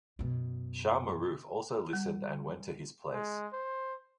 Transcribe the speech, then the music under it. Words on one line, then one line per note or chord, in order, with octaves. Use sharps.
Shah Maroof also listened and went to his place.
F#2 B2
G3
G#3
C5